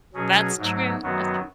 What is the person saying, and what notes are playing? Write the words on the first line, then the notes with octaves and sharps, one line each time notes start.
That's true. That's true.
B2 F#3 C#4 G#4
G#2 F#3 A3
F#2 D#3 F#3 B3 F#4